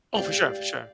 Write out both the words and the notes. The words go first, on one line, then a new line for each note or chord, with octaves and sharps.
Oh, for sure, for sure.
G4 D5 F5